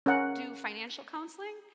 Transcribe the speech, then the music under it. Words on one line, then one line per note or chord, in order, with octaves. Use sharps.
do financial counseling,
C#4 A#4 F#5